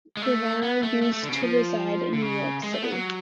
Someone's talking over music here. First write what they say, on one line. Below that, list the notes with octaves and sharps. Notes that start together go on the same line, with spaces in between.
Rivero used to reside in New York City.
G#3
A3
B3
A3
A3
A3
D3
B2
C#3
F3
D3
C#3
G#3
A3
B3
F#3